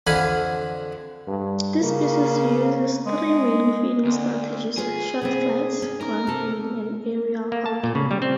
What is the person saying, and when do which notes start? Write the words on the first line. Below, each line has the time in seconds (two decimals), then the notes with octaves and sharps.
This species uses three main feeding strategies: short flights, ground feeding and aerial hawking.
0.07 F2 D3 F5 F#5 G#5 B5
1.28 G2
1.82 C#3 A#3
3.06 G#3
4.05 D2
4.77 F4 G#4 B4 C#5
5.22 C3 B3 C4
5.82 C#4
6.01 D#4 A#4
6.27 C3 A4
7.52 A#3
7.66 A5
7.84 A#2
7.95 C#3
8.11 G3
8.22 C4